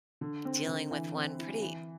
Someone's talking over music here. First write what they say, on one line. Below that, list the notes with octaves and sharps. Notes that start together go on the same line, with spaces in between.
dealing with one pretty
D3
C4
D3
E3
C4
E4
E3